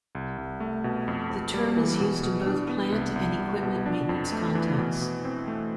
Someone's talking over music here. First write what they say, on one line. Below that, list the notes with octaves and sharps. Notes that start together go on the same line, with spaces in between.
The term is used in both plant and equipment maintenance contexts.
C2
C2
A3
B2
F2
F2
G3
E3
B2
B2
D4
B3
C2
C2
G3
B2
D4
F2
A3
E3
B2
B2
C4
A3